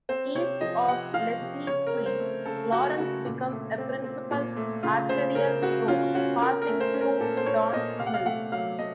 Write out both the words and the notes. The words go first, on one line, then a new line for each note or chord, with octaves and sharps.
East of Leslie Street, Lawrence becomes a principal arterial road, passing through Don Mills.
C4 C5
C3 C#5
F3 D#5
C3 F#5
F3 F5
C3
C#3 C#5
A#4
C4
C5
A3
C#3 A4
A3 F#4
C#3 F#4
A#2
A3
C4
C4
A#2
A3
C#3 F4
C#3 C5
C#3 A#4
C#3 F#4
C#4 F4
C#4 F#4
C#4 A#4
A#4
A3
C5
C#4
A#4
A#2 A4
C5
A#2 C#5
A#2 D#5
C3 F5
F#5
F5
A3 F#5
F#3 F5
A3 D#5